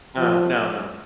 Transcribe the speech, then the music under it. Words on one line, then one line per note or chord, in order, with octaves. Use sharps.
Uh, no, no.
F3